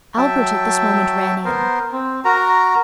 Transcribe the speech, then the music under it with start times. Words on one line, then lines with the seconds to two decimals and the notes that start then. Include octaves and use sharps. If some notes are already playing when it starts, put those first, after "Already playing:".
Albert at this moment ran in.
0.17 F#3 E5 G5 A5
1.45 B3 A#4 C5
1.92 C4
2.25 F#4 A#4 A#5